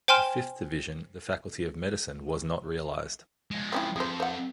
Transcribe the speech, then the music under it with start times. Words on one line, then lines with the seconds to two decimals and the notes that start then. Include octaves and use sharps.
A fifth division, the Faculty of Medicine, was not realized.
0.08 C5 G5 G#5 C6 F6 E7
3.51 F3 G#3
3.72 C4 C#4 E4
3.96 F2 G#4 C5
4.20 C5 F#5